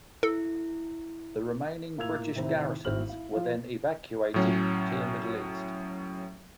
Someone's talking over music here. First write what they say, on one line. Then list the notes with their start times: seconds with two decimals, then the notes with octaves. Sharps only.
The remaining British garrisons were then evacuated to the Middle East.
0.23 E4 A4
1.98 A2 A#3 F4 E6 G#6 F7
2.35 A2 C3 D#3 C4 E4
2.85 G#1 C4 E4 F#4 F6 F#7
3.08 E4 F5
3.33 F3 F4
4.34 A2 F#3 C#4